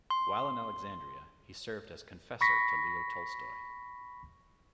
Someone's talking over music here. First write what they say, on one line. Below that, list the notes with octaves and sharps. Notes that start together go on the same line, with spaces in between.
While in Alexandria, he served as confessor to Leo Tolstoy.
C6
B5 C#6 A#6 B6